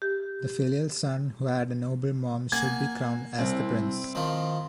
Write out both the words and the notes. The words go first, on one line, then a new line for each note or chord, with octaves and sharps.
The filial son who had a noble mom should be crowned as the prince.
G4
A#3 F#5 G#5 G#6
C2 C4 E4
D#3 F3